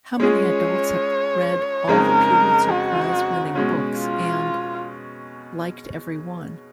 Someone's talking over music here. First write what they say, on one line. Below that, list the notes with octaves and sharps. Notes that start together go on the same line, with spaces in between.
How many adults have read all the Pulitzer-prize-winning books and ... liked every one?
G#3 C#4 F4 G#4 C#5
F2 C#3 G#3 D#4 A#4
F#4
B2 G#3 C#4
F4